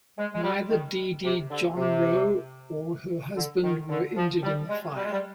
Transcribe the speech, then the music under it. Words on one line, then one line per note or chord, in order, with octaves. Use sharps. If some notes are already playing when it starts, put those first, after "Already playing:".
Neither DeeDee Jonrowe or her husband were injured in the fire.
G#3
G#3
G3
D#3
C3
D3
C3
D3
D#3
D3
F3
G3
G#3
G3
G#3
G3